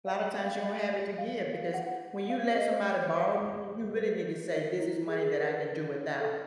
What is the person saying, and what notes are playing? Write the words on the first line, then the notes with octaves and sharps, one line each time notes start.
a lotta times you don't have it to give because when you let somebody borrow money, you really need to say this is money that I can do without.
F5
F5
F5
E5
F5
F#5
F5
D#5
C5
B4
E4
G#4
G#4
A#4
B4
A4